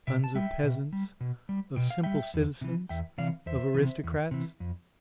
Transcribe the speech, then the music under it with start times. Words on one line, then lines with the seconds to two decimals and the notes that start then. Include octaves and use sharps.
Sons of peasants, of simple citizens, of aristocrats?
0.07 B2 E5 G5
0.24 A5
0.35 G3 E5 G5
0.63 B2
0.93 G3
1.21 B2
1.49 G3
1.76 B2 G5
1.90 F5
2.03 G3 E5 G5
2.34 E2
2.61 C3 E3
2.89 E2 E5 G5
3.18 C3 E3 D5 F5
3.46 E2 C5 E5
3.74 C3 E3
4.03 E2
4.31 C3 E3
4.60 F2